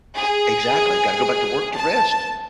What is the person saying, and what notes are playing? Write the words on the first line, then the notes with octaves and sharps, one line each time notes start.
Exactly. Gotta go back to work to rest.
G#4
A5